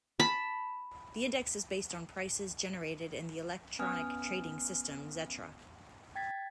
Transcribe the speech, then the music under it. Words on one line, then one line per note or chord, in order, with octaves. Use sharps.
The index is based on prices generated in the electronic trading system Xetra.
A5 B5
B3 C#4 B4 G#5 D#6 F6
G5 G#6 A6 B6